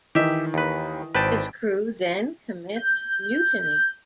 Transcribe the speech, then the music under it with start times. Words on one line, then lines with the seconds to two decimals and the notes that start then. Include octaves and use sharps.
His crew then commits mutiny.
0.15 D#3 E3 G4 D#5 E5
0.54 D#2 B4
1.15 G#1 B4 C5 G5 A5 D7
2.76 G6